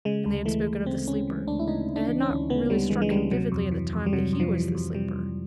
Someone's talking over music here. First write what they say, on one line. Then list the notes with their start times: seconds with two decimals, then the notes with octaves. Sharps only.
And they had spoken of the Sleeper; it had not really struck him vividly at the time that he was the Sleeper.
0.05 C#3 G#3
0.26 D2
0.46 E3 A3
0.66 D2
0.86 C#3 C4
1.07 D2 C#4
1.28 E3
1.47 D2 D4
1.59 E4
1.68 C#3 D#4
1.88 D2
1.96 D4
2.08 E3
2.22 C#4
2.29 D2
2.50 C#3 B3
2.70 D2 G3
2.90 E3 G#3
3.02 G#3
3.11 D2 G3
3.31 C3 F#3
3.52 F2
3.71 E3
3.93 F2
4.06 G3
4.13 C3 F#3
4.33 F2
4.40 F3
4.54 E3
4.75 F2
4.94 C3 G3
5.15 F2